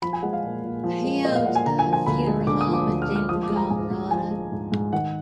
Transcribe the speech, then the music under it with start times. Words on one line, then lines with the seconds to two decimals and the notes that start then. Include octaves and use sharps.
He owns a funeral home in Denver, Colorado.
0.02 F3 B5
0.13 G#5
0.22 G#3 F#5
0.33 F5
0.43 A#2
0.63 A#2
0.84 F3
1.04 G#3
1.25 A#2 D#5
1.35 F5
1.45 A#2 F#5
1.55 G#5
1.66 D3 A#5
1.79 G#5
1.87 F3
1.93 G#5
2.06 D2 B5
2.27 G#3
2.47 D3 D6
2.61 D#6
2.68 F3
2.74 D6
2.88 D2
3.02 F6
3.09 G#3
3.16 F6
3.29 F3 D#6
3.43 D6
3.49 G#3
3.56 A#5
3.70 G#2 G#5
3.90 G#2
4.11 F3 G#5
4.31 G#3
4.52 G#2
4.72 G#2
4.93 D#3 F#5